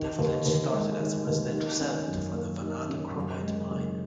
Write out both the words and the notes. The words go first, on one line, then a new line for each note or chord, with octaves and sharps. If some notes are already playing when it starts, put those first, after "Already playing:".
The village started as a residential settlement for the Vanad chromite mine.
Already playing: D#3
D#2
D#2
G#3
D#3
D#2
D#3
C#4
F#2
A#3
D#3
C#4
F#2
G#3
F#1